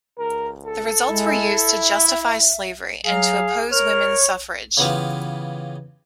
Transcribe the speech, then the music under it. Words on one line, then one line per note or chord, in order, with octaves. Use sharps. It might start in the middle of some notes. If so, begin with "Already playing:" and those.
The results were used to justify slavery, and to oppose women's suffrage.
C#2 A#4
A4
G#3 E4
E5
F#3 G#4 F5
A#4 C#5 F6
C#3 E3 B3 F4 G4